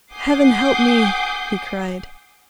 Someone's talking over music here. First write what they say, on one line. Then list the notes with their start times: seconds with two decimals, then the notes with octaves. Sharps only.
"Heaven help me!" he cried.
0.12 F#5 G#5 D6 D#6 G6 C7